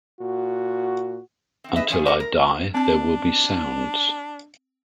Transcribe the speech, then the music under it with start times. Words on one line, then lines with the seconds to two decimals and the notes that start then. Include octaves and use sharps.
Until I die there will be sounds.
0.21 A#2 F#4
1.64 E3 C4
1.76 G#4 B4 D#5 E5
1.89 E2 F3 C#4 G#4 D5 G#5
2.06 G4 A#4 C#5 F#5
2.20 A#4
2.75 C4 D4 A5